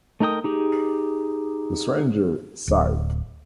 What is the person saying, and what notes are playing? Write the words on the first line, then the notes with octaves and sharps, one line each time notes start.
The stranger sighed.
A3 D#4 A#4 G5 D#6
D#4 G4 G#4
D1